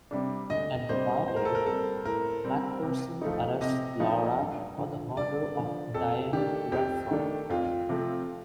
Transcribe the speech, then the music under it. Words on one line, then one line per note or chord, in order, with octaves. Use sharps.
At the party, McPherson arrests Laura for the murder of Diane Redfern.
C3 G3 D4
D2 D#5
C3 G3 D4 C5
A2 C5
A#4
A4
A#4
G3 C4 A4
A2 A#4
G3 C4
C3
F3 A3 D#4
C3 D#5
F3 A3 D#4
G2
D3 F3
G2 D5
D3 F3
F2 A4
D#3 A3 D4 G4
F2 G4
D#3 A3 D4
F2 F4
C3 F3 A3 C4